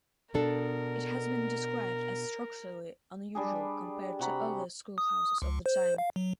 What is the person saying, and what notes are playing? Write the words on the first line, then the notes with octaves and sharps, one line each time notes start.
It has been described as "structurally unusual" compared to other schoolhouses of the time.
B2 D4 A4 A#4
G3 D4 G#4
C3 F#4 A#5 B5
D#6
C#2
C5
F5
F#3